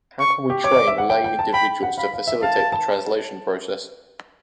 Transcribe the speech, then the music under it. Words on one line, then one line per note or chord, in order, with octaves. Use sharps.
How can we train lay individuals to facilitate the translation process?
C#6
G4
C#5 D6
D5
E5
F#5
G5
G5
A5
G5 B5
F#5
F5 B5
F5
E5
F5 A5
F5
A5